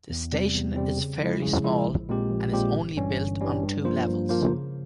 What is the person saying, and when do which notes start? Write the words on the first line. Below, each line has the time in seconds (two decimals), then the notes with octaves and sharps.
The station is fairly small and is only built on two levels.
0.10 E2
0.32 C3 G3 C4
0.54 E2
0.76 C3 G3 C4
0.97 C#3
1.19 F3 G#3 E4
1.42 C#3
1.64 F3 G#3 E4
1.87 A#1
2.09 A#2 G#3 C4 G4
2.30 A#1
2.52 A#2 G#3 C4 G4
2.75 G1
2.97 G2 E3 G3 C#4
3.19 G1
3.41 G2 E3 G3 C#4
3.63 G2
3.85 F3 A#3 F4 C5
4.08 G2
4.29 F3 A#3 F4 C5
4.51 C#3